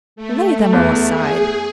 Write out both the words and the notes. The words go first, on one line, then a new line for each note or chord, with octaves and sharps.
Lay them all aside.
A3
E2
G#4